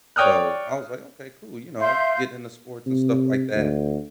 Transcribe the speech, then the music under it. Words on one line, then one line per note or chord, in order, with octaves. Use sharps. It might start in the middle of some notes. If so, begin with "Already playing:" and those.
So I was like, "Okay, cool," you know? Getting into sports and stuff like that,
C#5 D5 G5 D#6 F6 F#6
E5 F5 C6 G6
C3
D2